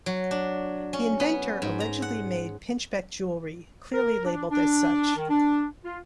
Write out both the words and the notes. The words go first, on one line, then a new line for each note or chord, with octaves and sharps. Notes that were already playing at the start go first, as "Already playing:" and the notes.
The inventor allegedly made pinchbeck jewellery clearly labelled as such.
F#3
D4
C#4
B3
G#2
A#5
F#5
A#4
D4
D4
D#3
D4
F4